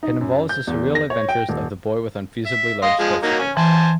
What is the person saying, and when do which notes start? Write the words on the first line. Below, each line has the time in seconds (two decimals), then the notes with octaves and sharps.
It involves the surreal adventures of "the boy with unfeasibly large testicles".
0.03 D#4
0.21 F#2
0.49 G6
0.67 E2
0.95 A#6
1.10 C#5
1.29 G5
1.49 D#1
2.46 E5
2.83 D#5 F5 C6
3.00 F3 G#3
3.23 F#3 A#3 D#4
3.39 C#4
3.57 E3 C5 G#5 A5